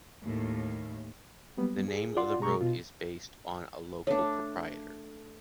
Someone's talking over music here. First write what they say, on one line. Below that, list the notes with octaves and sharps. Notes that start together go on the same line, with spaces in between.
The name of the road is based on a local proprietor.
D#2 A2
F#3 G3 A#3 B3
G#4
F4 D5 F#5 C6
B2 G#3 G#4 A#5 C#6
B2 F4
A3 D4 C#5